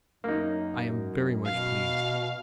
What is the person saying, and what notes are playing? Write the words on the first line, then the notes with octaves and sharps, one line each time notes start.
I am very much pleased.
F#2 A#3 D#4
B2 F5